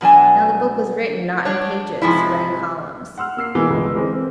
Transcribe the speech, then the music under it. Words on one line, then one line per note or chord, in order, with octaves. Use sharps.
Now the book was written, not in pages, but in columns.
B2 F#3 D4 G#5
F#3 D4 C#5
G#2 C3 F3 G#3 E4
F#5 C6 E6 F6
A#3 E6 C7
B2 E3 G#3 A#3
G1 C#2 D3 G#3
E3 G#3 C4 A#4
C4